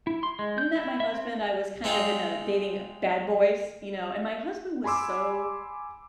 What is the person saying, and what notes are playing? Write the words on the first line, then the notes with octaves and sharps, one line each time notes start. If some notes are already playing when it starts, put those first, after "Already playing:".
met my husband, I was kind of in a dating bad boys, you know, and my husband was so
E4
C6
G#3
G6
E4
E5
C4
G#3 C4 D#4 F4
G#5 B5 C6 D6 E6